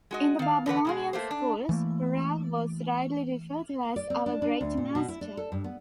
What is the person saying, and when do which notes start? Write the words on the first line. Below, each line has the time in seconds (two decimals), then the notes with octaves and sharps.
In the Babylonian schools, Rav was rightly referred to as our great master.
0.11 G#3 F#4 D#5
0.39 D#3 F5
0.66 E2 D3 B4 F#5
0.85 B2 G#3 G#4
1.13 A3 A#3 C5
1.31 D4
1.69 E3 A3 A#3
3.96 D5
4.10 C4
4.26 D4
4.42 D4
4.61 D2
4.77 A#2
4.95 B2
5.08 E4
5.21 D4
5.37 A4
5.52 G2
5.64 B3